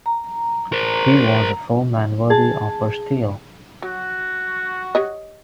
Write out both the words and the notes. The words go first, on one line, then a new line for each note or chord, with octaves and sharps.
He was a foeman worthy of her steel.
A#5
A#4 C5
G#4 A5
F#3 F#4
G4 C#5 D#5